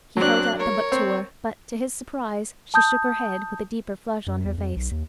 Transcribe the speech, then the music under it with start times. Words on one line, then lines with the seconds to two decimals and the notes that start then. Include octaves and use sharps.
He held out the book to her, but, to his surprise, she shook her head, with a deeper flush on her face.
0.17 F#3 C4 D4 F#6
0.57 A#4 C#5
0.92 C4
2.74 A5 D#6 G6
4.26 F#2
4.45 E2
4.58 F2
4.76 B1
4.91 D#2